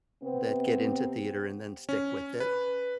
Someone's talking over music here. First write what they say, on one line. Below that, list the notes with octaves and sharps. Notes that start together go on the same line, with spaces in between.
that get into theater and then stick with it
C3 B3 C4
C#4
B4